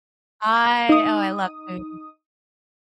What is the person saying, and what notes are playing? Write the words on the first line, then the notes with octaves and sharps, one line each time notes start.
I Oh, I love food.
D#4 D#6